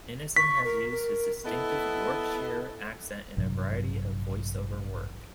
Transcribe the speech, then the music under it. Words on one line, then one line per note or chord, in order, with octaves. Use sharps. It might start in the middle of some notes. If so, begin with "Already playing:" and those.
Ineson has used his distinctive Yorkshire accent in a variety of voice over work.
C#6 B6
A#4
A#4
B3 E4 A4 D#5
A1 G2 C3 F#3